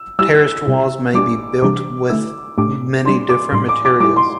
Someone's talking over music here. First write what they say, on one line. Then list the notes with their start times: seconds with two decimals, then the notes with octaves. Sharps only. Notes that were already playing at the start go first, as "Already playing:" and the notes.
Terraced walls may be built with many different materials.
Already playing: E6
0.19 G3 E4 G4 E6
0.66 C3 G3 E4
1.14 G3 D4 G4 D6
1.62 C3 E3 G3 D4 G4 D6
2.10 D3 A3 E4 E6
2.58 A2 A3 D4 G4 D6
3.05 G3 D4 G4 C6
3.29 D6
3.52 A2 G3 D4 C6
3.69 D6
3.85 D6
4.00 G3 D6
4.03 E4 G4
4.16 C6